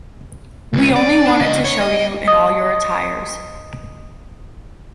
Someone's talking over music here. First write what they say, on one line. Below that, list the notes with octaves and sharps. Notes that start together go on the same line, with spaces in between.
We only wanted to show you in all your attires.
C#2 C#3
D5
D4
C#2 D#5
C#5
D#5
D#5 D#6